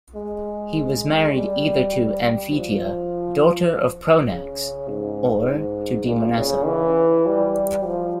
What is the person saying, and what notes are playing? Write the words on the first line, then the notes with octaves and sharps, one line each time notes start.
He was married either to Amphithea, daughter of Pronax, or to Demonassa.
G#3
G3
G3
F3
C#3
G#2
G#2
A#2
C#3
E3
G3
F3